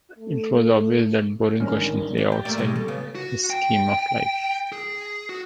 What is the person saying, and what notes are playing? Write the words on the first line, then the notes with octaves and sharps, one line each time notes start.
It was obvious that boring questions lay outside his scheme of life.
A3
A1 D#3 G3 G#3 C#4 D4
D4
G4
A3 A#3 D5
B2 G3 G#3
A4
C#3 B3
F#4
G5
G#4
F#4